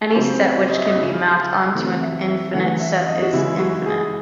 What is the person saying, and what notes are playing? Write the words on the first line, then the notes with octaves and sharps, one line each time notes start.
Any set which can be mapped onto an infinite set is infinite.
A4
C#3 F#3 C4 C5
C#5
D#5
E5
D#5
C#3 F#3 C#4 E5
E3 A3 C4
E5
E5
E3 A3 C#4 F#5
E5
D#5
F#4
C#3 E3 G#3 C#4 E4
F#4
G#4